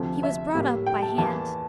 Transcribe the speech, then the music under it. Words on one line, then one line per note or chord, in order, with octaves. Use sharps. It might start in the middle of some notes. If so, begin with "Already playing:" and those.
He was brought up by hand.
Already playing: D2 C3 F3
E5
A2 G3 A#3
G5
A5
E2 E3 A#3 A5